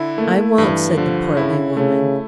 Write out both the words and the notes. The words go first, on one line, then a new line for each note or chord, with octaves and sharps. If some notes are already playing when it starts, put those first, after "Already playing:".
"I won't," said the portly woman.
Already playing: D3 E4
A3 A#3
G2 E3
D3 F3
C#3 E4
C#3 A3